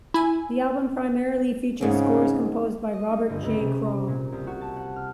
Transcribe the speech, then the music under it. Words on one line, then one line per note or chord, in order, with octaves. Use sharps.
The album primarily features scores composed by Robert J. Kral.
E4 G#5
E2 G#2 C#3 C4
D#5
D#4
G1
C#2
C3
A#5
A#2
C2
F#4
A5
F#5
F6